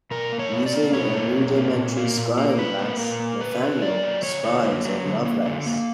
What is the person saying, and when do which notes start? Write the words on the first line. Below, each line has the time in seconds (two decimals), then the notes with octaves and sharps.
Using a rudimentary scrying glass Nathaniel spies on Lovelace.
0.11 B2 A#4
0.32 A#3
0.39 C#5
0.52 B2
0.66 D5
0.73 A#3
0.93 B2 C#5
1.14 A#3
1.34 B2
1.55 A#3
1.76 A#2
1.97 A#3
2.18 A#2
2.37 A#3
2.58 A#2 B4
2.79 A#3
2.99 A#2 A#4
3.20 A#3
3.40 D3 B4
3.62 D3
3.82 A#3 D5
4.03 F#3
4.22 D3 C#5
4.44 D3
4.63 A#3
4.85 F#3
5.05 D3
5.26 A#3
5.46 D3
5.66 A#3